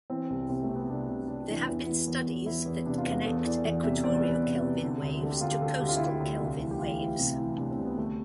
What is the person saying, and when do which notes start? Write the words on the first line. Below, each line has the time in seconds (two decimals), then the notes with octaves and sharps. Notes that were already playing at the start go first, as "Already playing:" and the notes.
There have been studies that connect equatorial Kelvin waves to coastal Kelvin waves.
0.10 E3 C4
0.30 C2
0.49 C3 C4
0.63 A3
0.70 C3
0.75 B3
0.89 C2 D4
1.09 C3
1.28 C3 D4
1.48 E3 D4
1.67 E2 E4
1.87 E3
2.08 E2
2.26 E2
2.46 E2 E4
2.66 E2
2.86 C3 D4
2.98 F4
3.06 E2
3.25 E2 A4
3.44 E3 D5
3.64 E2 D5
3.84 C3 E5
4.04 E2 D5
4.23 E2 B4
4.43 C3
4.62 C3
4.83 D3
5.02 D2
5.22 D3 A4
5.31 G4
5.41 D2 F4
5.51 G4
5.61 D3 A4
5.80 D2 G4
5.89 F4
5.96 E4
6.00 D3 F4
6.20 D2
6.39 C2
6.60 E3
6.71 G4
6.79 E3 F4
7.00 E3 E4
7.19 C3
7.39 E3
7.58 C2 D4
7.71 C4
7.78 C2
7.85 B3
7.98 D3 A3